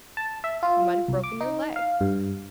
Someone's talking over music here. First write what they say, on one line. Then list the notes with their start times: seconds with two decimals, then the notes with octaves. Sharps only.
You might have broken your leg.
0.17 A5
0.44 E5
0.63 F4
1.08 C2
1.24 D6
1.41 D#4
1.76 F5
2.01 G2